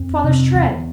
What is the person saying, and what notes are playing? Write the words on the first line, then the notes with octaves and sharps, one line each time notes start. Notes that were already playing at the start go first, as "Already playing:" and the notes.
Father's tread!'
Already playing: F2 C4
C3
E2